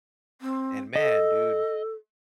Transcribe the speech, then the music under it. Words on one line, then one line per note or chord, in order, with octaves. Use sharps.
And man, dude,
C4
A4 D#5